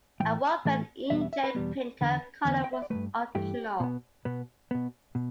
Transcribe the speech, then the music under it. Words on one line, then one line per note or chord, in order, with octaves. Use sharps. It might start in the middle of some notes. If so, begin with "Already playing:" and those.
A one-pen inkjet printer, color was optional.
A2 E3 A3 G5
A2 E3 A3
E2 B2 G3 B3 E5
E5
E5
B4
E2 B2 G3 B3
E2 D3 B3 B4
E2 D3 B3
G5
E5
D5
G2 E3 A3 B4
G2 E3 A3 G4
B2 B3
B2 B3
B2 B3
B2